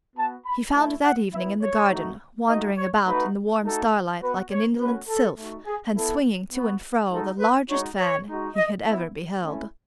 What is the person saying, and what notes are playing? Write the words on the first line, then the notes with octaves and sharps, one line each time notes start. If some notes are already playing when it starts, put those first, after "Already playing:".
He found her that evening in the garden, wandering about in the warm starlight like an indolent sylph, and swinging to and fro the largest fan he had ever beheld.
B3 F#4 A5
B5
A3 E4 A5
F#5
E4 E5
B3
C#5
A3 D#4 F#4
A3 D#4 F#4 D#5
C#5
A3 D#4 F#4 B4
A3 D#4 F#4 A4
B3 F#4 B4
C#5
A3 C#4 F#4 B4
A4
A3 D#4 F#4
G#4
B3 E4 A4
B3 F#4
G#3 D#4 F#4 A4
B4
G#3 D#4 F#4 C#5
C#5
G#3 D#4 F#4
D#5
B3 E4 E5
A3 C#4 E4